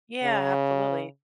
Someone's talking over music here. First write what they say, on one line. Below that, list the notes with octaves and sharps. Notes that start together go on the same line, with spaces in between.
Yeah, absolutely.
C#3